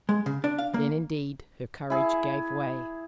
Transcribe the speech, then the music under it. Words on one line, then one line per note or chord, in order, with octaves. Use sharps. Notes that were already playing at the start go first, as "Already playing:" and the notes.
Then, indeed, her courage gave way.
G#3
C#3
D4
F5
A#3
E4 G#4